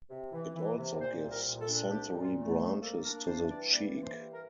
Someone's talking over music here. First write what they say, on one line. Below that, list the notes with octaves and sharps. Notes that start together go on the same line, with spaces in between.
It also gives sensory branches to the cheek.
C3
E3
E3
C3
A#2 C5
C2
A#4
A#2
A4
D4
C2 G4
A#2
F4
A3
C2
A#3 A4
D4 A#4
E3 C5
G2 D5
A#3 D5
E3
C5
G2
A#4